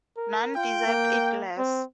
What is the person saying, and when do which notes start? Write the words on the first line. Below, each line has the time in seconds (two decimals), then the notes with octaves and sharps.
None deserved it less.
0.17 A#4
0.55 F4 G5
0.86 A#3
1.58 C4